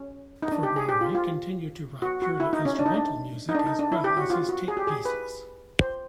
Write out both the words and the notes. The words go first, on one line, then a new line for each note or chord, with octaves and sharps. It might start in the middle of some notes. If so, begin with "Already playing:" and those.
Ferrari continued to write purely instrumental music as well as his tape pieces.
Already playing: C#4
D#4
D4
G4
G#4
G4
F4
F4
F#4
F#4
E4
D#4
C#4
D4
D#4
D4
D#4
D4
D#4
D4
E4
G4
F#4
F4
F#4
G#4
G4
G#4
B4
C5